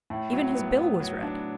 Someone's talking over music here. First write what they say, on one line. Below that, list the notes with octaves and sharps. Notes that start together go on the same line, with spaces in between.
Even his bill was red.
A2
F#3
B3
B3
F#3
D4